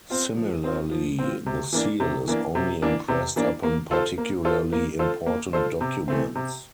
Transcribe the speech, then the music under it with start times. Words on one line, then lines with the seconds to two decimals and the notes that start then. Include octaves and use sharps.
Similarly, the seal is only impressed upon particularly important documents.
0.10 C4 F4
0.37 F3
0.64 C4 F4
0.91 F3
1.19 C4 F4
1.46 C3
1.73 E3 A#3 D4
2.00 C3
2.28 E3 A#3 D4
2.55 C3
2.82 E3 A#3 D4
3.08 C3
3.36 E3 A#3 D4
3.63 A#3
3.91 F4 A4 C5
4.18 A#3
4.45 F4 A4 C5
4.73 A#3
4.99 F4 A4 C5
5.26 A#3
5.53 F4 A4 C5
5.81 C3
6.08 E3 A3 C4
6.35 C3